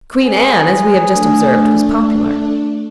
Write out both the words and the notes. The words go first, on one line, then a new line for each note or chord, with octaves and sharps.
Queen Anne, as we have just observed, was popular.
G#4 B4
A3 D4